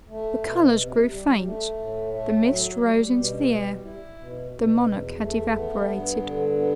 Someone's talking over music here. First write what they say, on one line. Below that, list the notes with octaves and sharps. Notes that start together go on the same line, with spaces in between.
The colors grew faint; the mist rose into the air; the monarch had evaporated.
A3
B2
C3
G3
A3
A2
A3
F#3
G3
B2
G3
E4
B2
B2
E2
A3
B3
G2
D3
B3